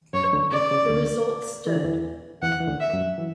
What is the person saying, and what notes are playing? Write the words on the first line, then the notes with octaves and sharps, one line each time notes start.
The result stood.
F#2 F#3 C#5
D2 D3
C#3 D5
C#3
C#3
D2 D3
E3
D3
E2 E3
E2 E3 F#5
E3
D2 D3
E5
F#2 F#3
E3